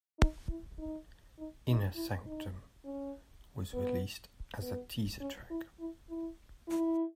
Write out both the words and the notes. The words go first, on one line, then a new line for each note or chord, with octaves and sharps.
"Inner Sanctum" was released as a teaser track.
D#4
E4
D#4
D#4
D#4
E4
D#4
C#4
B3
B3
C#4
E4
E4
E4
E4